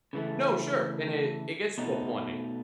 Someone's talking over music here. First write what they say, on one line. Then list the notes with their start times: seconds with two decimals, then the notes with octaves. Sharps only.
No, sure, and it it gets to a point.
0.13 C#3 E3 A3
1.78 B2 A3 D#4